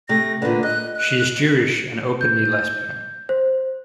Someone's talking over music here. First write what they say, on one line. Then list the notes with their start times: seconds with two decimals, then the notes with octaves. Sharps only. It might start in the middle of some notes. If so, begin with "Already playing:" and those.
She is Jewish and openly lesbian.
0.09 C3 A3 A#6
0.42 A#2 D3 B4
0.63 D#5 F#6
0.96 F#6
2.21 G6
3.29 C5